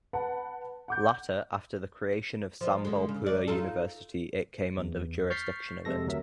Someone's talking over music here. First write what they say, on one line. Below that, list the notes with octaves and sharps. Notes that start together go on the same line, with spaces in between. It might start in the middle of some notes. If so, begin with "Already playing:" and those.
Latter after the creation of Sambalpur University it came under the jurisdiction of it.
B4 F#5 A5
F#5 D6 G6
F3 D#5
D3 G#3
C#3
D5
D#4 F4 A4
E2
C#6 F6 G6 A6 B6 C7
F2 C3 G#3 A4 A#6
D2 F#3 A#4 E5